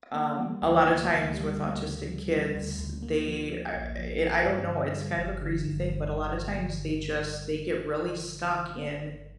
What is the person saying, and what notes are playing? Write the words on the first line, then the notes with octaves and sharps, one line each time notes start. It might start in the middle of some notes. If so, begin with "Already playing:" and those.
Um, a lotta times with autistic kids, they I eh I don't know, it's kinda a crazy thing, but a lotta times, they just they get really stuck in
A#3
G3
D2
D2
D2
G3
D2
C#3
F3
C#3
D2
D2
A#3
F3
F3
A#1
F3
F3
G2
D3
G3
G1
D3
G1